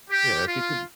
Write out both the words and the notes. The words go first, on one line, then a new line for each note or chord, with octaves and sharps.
Yeah, if you could
G4
F4